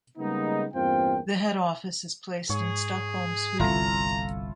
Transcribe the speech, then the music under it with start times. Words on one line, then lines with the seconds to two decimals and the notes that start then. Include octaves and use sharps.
The head office is placed in Stockholm, Sweden.
0.18 C#3 G3 G#3 A#3 B3 D#4
0.74 E2 G2 A#3 C4 F4 G5
2.50 G#2 G#4 C#5
3.59 G1 C2 E4 F4 A4 A#5